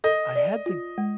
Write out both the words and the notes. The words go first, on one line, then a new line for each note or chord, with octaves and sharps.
I had the
A4 D#5
D5
F4
G#3